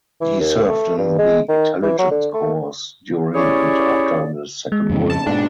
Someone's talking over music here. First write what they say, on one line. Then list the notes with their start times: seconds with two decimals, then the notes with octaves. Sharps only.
He served in the Intelligence Corps during and after the Second World War.
0.21 E3
0.40 D#2
0.70 A3
0.98 G2
1.18 G#3
1.49 D#3
1.83 E3
1.99 F#3
2.11 D3
2.33 A3
3.34 C#4 E4 G4 G#4 C#5 D5
4.72 G#3
4.90 F2 G#2 C#3
5.10 A5 A6
5.27 G#2 B2 D4